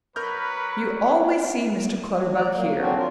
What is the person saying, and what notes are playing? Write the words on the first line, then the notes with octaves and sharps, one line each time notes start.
You always see Mr. Clutterbuck here.
F#3 A#4 B4 B5 F6 G6
D5 A#5
A#3
F#3 C4 D4 F#4
F4 A#4